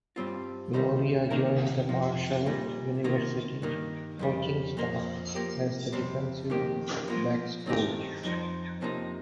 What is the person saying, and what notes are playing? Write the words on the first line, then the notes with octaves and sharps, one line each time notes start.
Loria joined the Marshall University coaching staff as the defensive backs coach.
G2 G3 C4 F4
D#2 D#3 G3 D#4 C5
D#2 D#3 A#3 D#4 A#4
F2 F3 D#4
A#2 G3 D#4
D#3 A#3 F4
G2 D#3 A#3
F2 D#3 G3
F2 F3 A#3
F3 A#3 G4
F2 C3 G3 C4
F2 D#3 A#3 G4
F3 A#3 F4
G2 D#3 C4 D#4 G4
F2 F3 D#4 C5
F2 C3 F3 A#3 D#4